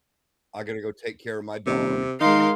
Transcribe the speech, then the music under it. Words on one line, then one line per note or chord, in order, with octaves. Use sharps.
I gotta go take care of my dog
D#1 C3
D#3 G#3 D#4 A#4 F5 C6